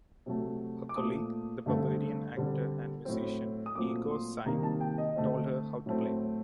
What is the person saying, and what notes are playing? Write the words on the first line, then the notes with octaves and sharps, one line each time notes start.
Her colleague, the Bavarian actor and musician Igo Sym told her how to play.
C3 F#3 A3
D6
A#2 A3 C4 D#6
G2 D3 A3 C4
D3 G3 C4
A2 F#3 C4
D#6
A#2 F#3 A3 C4 D6
C6
C3 D#3 G3 A#3 A#5
A5
G5
D#5
D3 A3 C4
A2 F#3 A3 C4